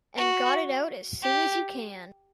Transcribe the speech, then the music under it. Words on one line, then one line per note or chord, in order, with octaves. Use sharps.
And got it out as soon as you can.
F#4
G4